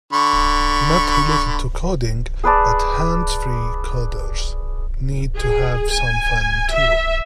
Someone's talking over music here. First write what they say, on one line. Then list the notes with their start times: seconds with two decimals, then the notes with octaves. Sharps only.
Not related to coding, but hands-free coders need to have some fun too.
0.13 D3 B5 C#6
2.44 G#4 B4 D5 A5
5.37 G#4
5.92 G#5
6.73 E5